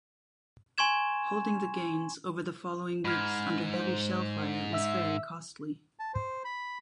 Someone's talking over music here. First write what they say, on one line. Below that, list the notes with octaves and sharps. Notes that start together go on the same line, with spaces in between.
Holding the gains over the following weeks under heavy shellfire was very costly.
G#5 C6 C#6 G#6 E7
G#2 B5 F6 G#6
C5
E5 E6
A5
C5
B5